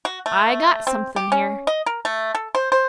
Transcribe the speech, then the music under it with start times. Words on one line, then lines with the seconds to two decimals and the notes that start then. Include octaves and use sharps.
I got something here.
0.05 F#4
0.26 A3
0.87 C4
1.16 G4
1.32 C#4
1.67 D#5
1.86 A#4
2.05 A3
2.35 A4
2.55 C5
2.72 C5